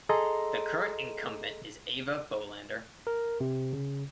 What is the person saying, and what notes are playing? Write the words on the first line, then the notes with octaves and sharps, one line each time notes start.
The current incumbent is Eva Bolander.
G#4 A4 D#5 A#5 C6
A#4
C3
C#3